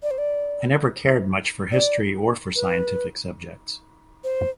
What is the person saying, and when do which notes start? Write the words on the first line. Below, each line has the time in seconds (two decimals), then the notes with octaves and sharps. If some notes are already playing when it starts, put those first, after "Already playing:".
I never cared much for history or for scientific subjects.
0.03 D5
0.11 C5
0.18 D5
1.72 D5
2.56 B4
4.24 C5